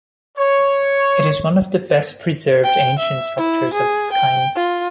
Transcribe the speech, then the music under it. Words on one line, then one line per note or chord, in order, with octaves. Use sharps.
It is one of the best preserved ancient structures of its kind.
C#5
G5
E5
E4
G#4
G5
F4